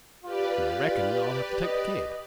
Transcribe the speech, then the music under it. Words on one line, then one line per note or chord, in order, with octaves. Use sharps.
And I reckon I'll have to take the kid.
F4 G4 B4 D5
D#5